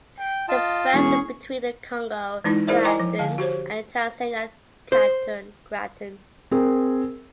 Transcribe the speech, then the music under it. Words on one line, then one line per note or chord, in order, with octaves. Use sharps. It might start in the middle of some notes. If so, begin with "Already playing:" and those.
The belt is between the Congo Craton and the Tanzania Craton.
G5
F4 D#5 A5
E1 C#4 G#4 C#6
E3 G#3 D#4 E4
E4 G#4 A#4 C5 D5 E5
E4 D#5 G5 G#5 A#5 D6
F3
D3 F5 A5
F#4 G4 C5 C#5
C5
C4 G#4 A#4